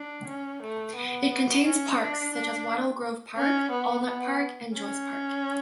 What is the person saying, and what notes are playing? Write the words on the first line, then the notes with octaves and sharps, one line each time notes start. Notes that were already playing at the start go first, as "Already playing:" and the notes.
It contains parks such as Wattle Grove Park, Allnutt Park and Joyce Park.
Already playing: D4
C#4
A3
B3
C#4
D4
D4
C#4
B3
B3
C#4